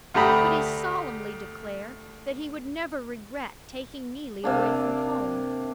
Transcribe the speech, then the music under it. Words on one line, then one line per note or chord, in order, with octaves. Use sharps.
Could he solemnly declare that he would never regret taking Neelie away from home?
D2 A3 G4 A#5 B5 D#6
C3 A#3 D4